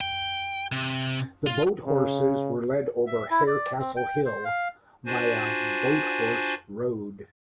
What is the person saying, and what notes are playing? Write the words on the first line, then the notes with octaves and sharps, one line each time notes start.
The boat horses were led over Harecastle Hill via 'Boathorse Road'.
G5
C3
F4
C#3
E5
E4
D5
C4
G5
C5
F5
D4 F4 F#4 C5 G#5